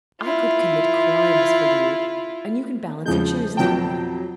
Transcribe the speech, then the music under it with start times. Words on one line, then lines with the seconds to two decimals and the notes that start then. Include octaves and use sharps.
I could commit crimes for you,--and you can balance and choose in that way.
0.21 E4 F4
3.06 E2 C#3 F3 G#3 G6
3.57 F2 B2 F#3 G5 A5